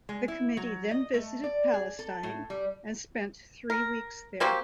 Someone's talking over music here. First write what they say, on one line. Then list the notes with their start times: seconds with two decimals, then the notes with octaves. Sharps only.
The Committee then visited Palestine and spent three weeks there.
0.09 G#3
0.28 E4
0.57 F#3
0.91 D#5
1.14 A3
1.44 D5
1.74 G#4
1.99 A4
2.23 A2
2.50 G3
3.70 A#4
4.40 A#3 C4 F#4 G4